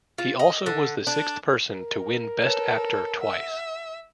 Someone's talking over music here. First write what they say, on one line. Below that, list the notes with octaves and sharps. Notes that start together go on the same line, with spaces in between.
He also was the sixth person to win Best Actor twice.
F4
D#5
D3
D4
A#4
A4 B4 C#5 E7
E5 F#5